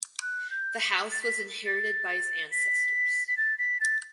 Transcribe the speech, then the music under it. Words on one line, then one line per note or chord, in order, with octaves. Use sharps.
The house was inherited by his ancestors.
F#6
G6
B6
A6
B6
A6
B6
B6
A6
B6
A6